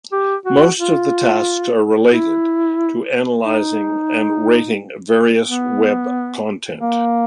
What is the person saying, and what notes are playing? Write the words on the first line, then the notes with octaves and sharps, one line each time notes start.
Most of the tasks are related to analyzing and rating various web content.
G4
F#4
F4
E4
D#4
B3
A#3